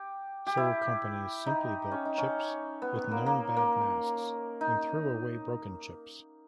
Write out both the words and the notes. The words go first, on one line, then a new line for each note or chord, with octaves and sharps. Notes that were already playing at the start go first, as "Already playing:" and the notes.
So companies simply built chips with known-bad masks, and threw away broken chips.
Already playing: G4
G4
E4
D#4
C#4
D#4
C#4
B3
B3
A#3
A#3
A#3
D#4